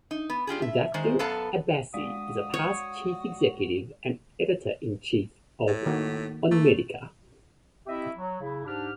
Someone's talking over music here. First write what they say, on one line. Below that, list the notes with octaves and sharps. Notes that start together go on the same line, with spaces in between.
Doctor Abbasi is a past chief executive and editor-in-chief of OnMedica.
D#4
B3
D4 F4 G4 G#4
E5
D#3 G#3 C5
F#2 B3 A4 B4 F5 A5
G#3 F#4 D5 F5 D#6
C#5
A2
D#3 A#3 F#4
A3 A#3
C4 E4 G4 D#5 E5
F#3
C#3 E4
G#2 D4 G4 F6